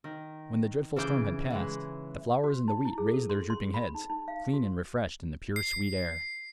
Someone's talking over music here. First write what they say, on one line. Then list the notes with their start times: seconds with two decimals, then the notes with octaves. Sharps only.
When the dreadful storm had passed, the flowers and the wheat raised their drooping heads, clean and refreshed in the pure, sweet air.
0.04 D#3
0.96 C#3 E3 G#4 D6 G6
1.50 E3 G#3
2.44 F#4
2.68 D#4
2.85 E4
2.98 G#4
3.14 A4
3.29 C6
3.50 C6
3.74 B5
3.95 D#4
4.10 D#4
4.28 F5
4.54 F#4
5.56 C7